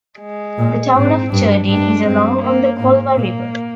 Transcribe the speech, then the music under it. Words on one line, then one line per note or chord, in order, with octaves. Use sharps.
The town of Cherdyn is along on the Kolva River.
G#3
A#2
G#2 C4
G2 D4
G2 D4
G2 C4
A#3
G#2 A#3
A#2 A#3